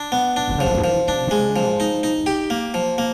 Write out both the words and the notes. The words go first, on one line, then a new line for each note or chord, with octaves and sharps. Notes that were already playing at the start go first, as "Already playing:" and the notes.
Her fate is unknown.
Already playing: D4
B3
D4
F3
F3
D4
G#3
F3
D#4
D#4
G4
A#3
F3
A#3